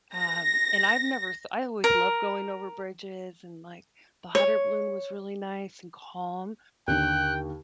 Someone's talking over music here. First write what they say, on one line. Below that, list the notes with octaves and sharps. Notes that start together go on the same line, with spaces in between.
Um, and I've never s I always loved going over bridges and, like, the hot air balloon was really nice and calm.
A#6
A#4
C#5
D#2 D3 G5 F#6